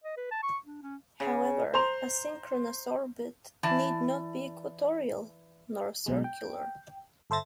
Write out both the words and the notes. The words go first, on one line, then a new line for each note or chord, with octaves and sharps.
However, a synchronous orbit need not be equatorial; nor circular.
D#5
B4
A5
C#6
D4
C#4
C#3
C5 A#5 C6 F7
E3 D5 A5
B1 B2 G#3
G5
G1 A4 C5 E5 A6 A#6